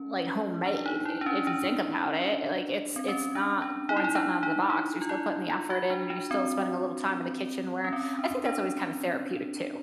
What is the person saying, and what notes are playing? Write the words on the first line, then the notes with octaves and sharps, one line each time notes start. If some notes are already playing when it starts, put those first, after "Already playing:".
like homemade i if you think about it. Like it's it's not pouring something out of the box. You're still putting the effort in and you're still spending a little time in the kitchen where I think that's always kind of therapeutic, too.
Already playing: C#4
D4
D#4
E4
D4
C#4
D4
C4
C#4
D4
D4
D#4
E4
D#4
D4
D#4
D#4
F4
E4
F4
F#4
D4
D4
C4
C#4
C4
D4
D4